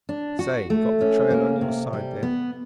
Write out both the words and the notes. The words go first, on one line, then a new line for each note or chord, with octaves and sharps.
Say, got the trail on your side there?
D4
F#4
A3
C#4
A#3
C3
G3
B3